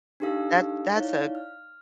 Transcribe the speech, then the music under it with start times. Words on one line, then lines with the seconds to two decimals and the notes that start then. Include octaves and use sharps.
that that's a
0.20 D4 D#4 G4 A4 F5 E6
0.96 D#4 E4 C#5 D5 F5
1.35 F6